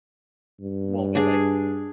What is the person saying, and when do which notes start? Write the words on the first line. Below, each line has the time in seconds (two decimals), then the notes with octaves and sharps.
won't get like
0.61 G2
1.15 D4 G#4